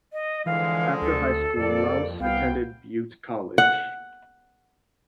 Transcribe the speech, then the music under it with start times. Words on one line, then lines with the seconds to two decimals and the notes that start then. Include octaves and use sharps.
After high school, Lohse attended Butte College.
0.13 D#5
0.46 D3 E3 F3 G#3 F5
1.02 D2 A4
1.57 C2 F2 A#3 D5
2.20 C2 B3 F5 G5
3.58 F#5